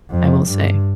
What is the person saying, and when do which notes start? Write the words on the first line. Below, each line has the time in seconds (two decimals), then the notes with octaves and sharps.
I will say.
0.10 F2
0.48 G2